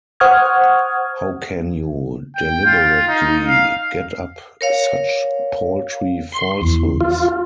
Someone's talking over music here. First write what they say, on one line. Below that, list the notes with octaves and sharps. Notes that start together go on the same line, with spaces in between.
How can you deliberately get up such paltry falsehoods?
C5 F#5 C#6 D#6 F6 G#6
G5
F4
D#4
F5
A#4 C#5 F5
C6
E2
F4